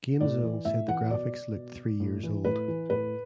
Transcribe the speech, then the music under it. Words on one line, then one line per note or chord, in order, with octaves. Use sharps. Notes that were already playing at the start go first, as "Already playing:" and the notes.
Gamezone said the graphics looked three years old.
A2 D5
E3
A2 E5
E3 F#5
B2 D5
B2
A2
E3
A2 B4
E3
A2 B4